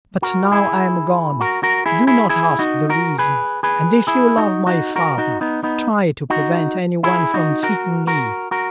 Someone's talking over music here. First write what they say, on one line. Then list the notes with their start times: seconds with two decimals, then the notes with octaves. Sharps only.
But now I am gone. Do not ask the reason; and if you love my father, try to prevent any one from seeking me.
0.22 F#4 A#4
0.52 E4 G#4
1.41 F#4 A#4
1.63 F#4 A#4
1.86 E4 G#4
2.07 E4 G#4
2.29 E4 G#4
2.59 D#4 F#4
2.90 F#4 A#4
3.18 G#4 B4
3.63 G#4 B4
4.07 E4 G#4
4.37 D#4 F#4
4.66 D#4 F#4
4.96 F#4 A#4
5.18 D#4 F#4
5.41 B3 D#4
5.63 B3 D#4
6.30 D#4 F#4
7.03 E4 G#4
7.34 D#4 F#4
7.63 F#4 A#4
8.07 F#4 A#4
8.51 F#4 A#4